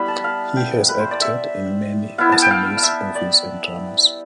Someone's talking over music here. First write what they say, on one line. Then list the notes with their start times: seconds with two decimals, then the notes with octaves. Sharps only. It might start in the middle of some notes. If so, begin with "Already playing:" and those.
He has acted in many Assamese movies and dramas.
Already playing: G3 B3 E4 B5
0.08 A5
0.24 F5
0.57 G5
0.89 B4
1.00 C5
1.11 D5
1.21 E5
2.18 B3 E4 F5
2.32 A5
2.42 G5
2.51 F5
2.77 F5
2.83 E5
3.15 D5